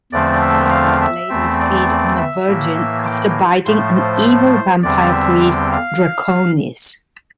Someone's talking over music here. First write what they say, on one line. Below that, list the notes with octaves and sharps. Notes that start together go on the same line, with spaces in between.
Later, Blade would feed on a virgin after biting an evil vampire priest, Draconis.
E2 D3 F3 A3 C4 D5
E5
F5
E5
E2 E3 A3 C4
D5
E5
A2 E3 A#3
G5
A2 F3 A3 C5
C5
E2 D3 G3 C4 D5
E5
G5
F5